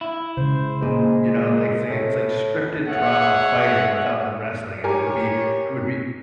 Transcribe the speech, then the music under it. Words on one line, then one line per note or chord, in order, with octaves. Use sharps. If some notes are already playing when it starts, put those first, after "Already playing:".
you know, like, it's it's like scripted drama fighting without the wrestling it would be it would be
E4
C#3 C5
A#2 G#3 C5
A2
G#4 C#5 E5 F#5
G4 A#4 C#5 G#5